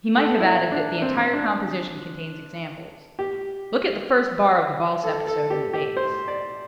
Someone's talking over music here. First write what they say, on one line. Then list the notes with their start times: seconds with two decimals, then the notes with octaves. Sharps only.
He might have added that the entire composition contains examples--look at the first bar of the valse episode in the bass.
0.17 A4
0.40 E4
0.71 D4
1.02 C4
1.33 D4
3.19 G4
5.04 A4
5.27 A4
5.50 G4
5.73 G4
5.97 C5
6.28 D5